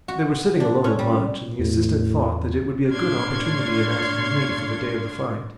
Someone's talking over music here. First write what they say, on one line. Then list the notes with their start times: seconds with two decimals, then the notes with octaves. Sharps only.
They were sitting alone at lunch, and the assistant thought that it would be a good opportunity of asking leave for the day of the fight.
0.08 F#4
0.60 D4
0.84 C#4
0.99 G3
1.59 E2 A2
2.91 A2 D4 C#5 F5 C6 G#6